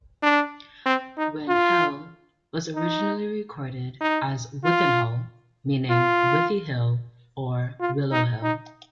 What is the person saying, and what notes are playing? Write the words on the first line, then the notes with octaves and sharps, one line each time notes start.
Win Hill was originally recorded as "Wythinehull", meaning "Withy Hill" or "Willow Hill".
D4
C4
D#4
F4
D#4
D#4
F4
F4
F4
D#4
D#4